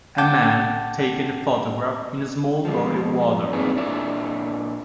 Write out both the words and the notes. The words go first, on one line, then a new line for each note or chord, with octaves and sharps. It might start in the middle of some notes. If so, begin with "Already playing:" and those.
A man taking a photograph in a small body of water.
F#5 G5 A5 D6 G6 A6
F3 G#3
A#3 C4 D4 D#4 G#4 B4
A#2 D4 E4 A4 D5 E5